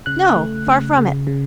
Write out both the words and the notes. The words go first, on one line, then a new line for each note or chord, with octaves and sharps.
No; far from it.
C#3 F#6
A3
C#3
C#3
C#3